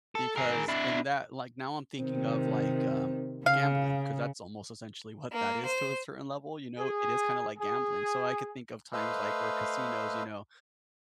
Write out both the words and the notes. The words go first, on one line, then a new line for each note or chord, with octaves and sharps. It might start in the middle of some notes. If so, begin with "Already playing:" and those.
Because in that like now I'm thinking of, like, um, gambling 'cause that's almost essentially what that is, to a certain level, you know? It is kinda like gambling. So I could think of times, like, where casinos, you know
A4
G#4 A#4
D4 E4
C3 D#3 C4
C#3 F5
A#3
C5
G#4
G#4
A3 B4 C5 D#5 F5 E6